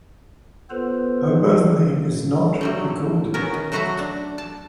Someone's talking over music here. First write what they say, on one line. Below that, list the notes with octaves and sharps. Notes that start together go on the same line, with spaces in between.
Her birth name is not recorded.
B3 F4 A4 B4 C5
F#3 G3 A3
B3 C#4 A#4
D#3
F#3 A3 F#4 B4 A5 A#5
D4
A5